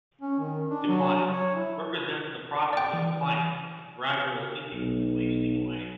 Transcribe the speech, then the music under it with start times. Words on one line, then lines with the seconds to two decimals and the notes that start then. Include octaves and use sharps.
"Decline" represents the process of declining, a gradual sinking and wasting away.
0.21 C#4
0.40 D#3
0.70 D4
0.88 F#3
1.19 F#3
1.33 C#5
1.56 E4
2.73 D5 G5
2.93 E3
4.73 B1